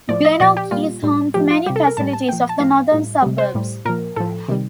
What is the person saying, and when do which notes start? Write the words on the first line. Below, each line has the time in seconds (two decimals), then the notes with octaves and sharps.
Glenorchy is home to many facilities of the northern suburbs.
0.09 A2 F3 D5
0.25 D#5
0.40 A#2 F3 D5
0.57 G4
0.71 A#2 G3 F4
1.03 A2 G3
1.34 A2 F3 G4
1.50 F4
1.66 C3 G3 G4
1.76 A4
1.87 A#4
1.97 A2 G3 A5
2.13 A5
2.28 A#2 F3 G5
2.49 A5
2.60 A2 F3 F5
2.92 A2 G3
3.22 C3 G3
3.38 C5
3.54 A2 G3
3.85 A#2 F3 A#4
4.16 A2 F3 A4
4.48 C3 D#3 G3